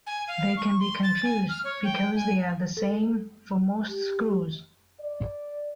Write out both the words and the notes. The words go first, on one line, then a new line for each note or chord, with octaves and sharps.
They can be confused because they are the same for most screws.
G#5
F5
C#6
C6
A6
G#5
F6
C#5
G5
G#5
A4
G4
D5